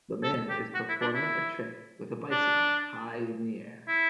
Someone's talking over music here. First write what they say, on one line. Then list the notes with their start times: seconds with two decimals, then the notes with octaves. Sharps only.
The man is performing a trick with a bicycle high in the air.
0.23 A4
0.49 G4
0.75 F#4
0.89 E4
1.01 D4
1.15 E4
2.31 D4
3.88 E4